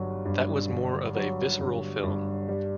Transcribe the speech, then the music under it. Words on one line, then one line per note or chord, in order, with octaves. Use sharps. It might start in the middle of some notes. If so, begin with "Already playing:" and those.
That was more of a visceral film.
Already playing: G1 G2 F#3
G2
G1
F#3
G1
G2
G3